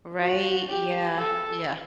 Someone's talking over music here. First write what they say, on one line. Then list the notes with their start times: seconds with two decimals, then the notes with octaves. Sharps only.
Right, yeah, yeah.
0.21 F#4
0.68 G4
1.17 A4